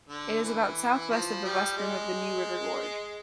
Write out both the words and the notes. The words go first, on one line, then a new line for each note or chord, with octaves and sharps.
It is about southwest of the west rim of the New River Gorge.
D3
E3
F3
G3
G#3